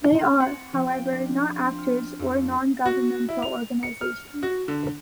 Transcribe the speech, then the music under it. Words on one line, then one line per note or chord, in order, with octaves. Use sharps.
They are, however, not actors or non-governmental organizations.
C4
F#5
F3
G5
D4
C4
F6
F2
F#4
E4
F7
C#7
F6
F#4
D3